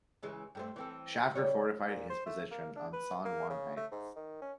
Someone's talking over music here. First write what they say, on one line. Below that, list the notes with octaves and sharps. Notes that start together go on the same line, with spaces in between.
Shafter fortified his position on San Juan Heights.
C#3 E3 G#3
G2 A3 C4
E3 C4 A4
C#3 G3 C#5
A#2
C5
A3
A#3
D4
B4
A#3
C#3
A3
G#2
D#3
C#4